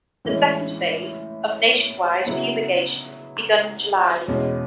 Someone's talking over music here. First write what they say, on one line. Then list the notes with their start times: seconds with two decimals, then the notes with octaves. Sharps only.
The second phase of nationwide fumigation begun in July.
0.25 A2 E3 G#3 C#4
2.26 C#3 F#3 B3 E4
4.28 E2 B2 G#3 C#4